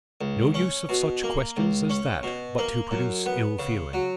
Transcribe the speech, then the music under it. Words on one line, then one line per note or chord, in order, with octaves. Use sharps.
No use of such questions as that but to produce ill feeling.
C#2
C#4
B2
A#3
C#2
C#4
B2
A#3
F#2
B3
C#3
F#3